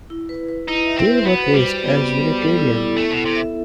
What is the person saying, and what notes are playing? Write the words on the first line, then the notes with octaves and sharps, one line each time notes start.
They were raised as Unitarian.
E4
B4
B4
D#4 E4
E5
C4
B4
B3 F#4
C5
G3
C5
B3
B3
B3
A4
E4
E4
A3 A4
B2 E4
C3
E5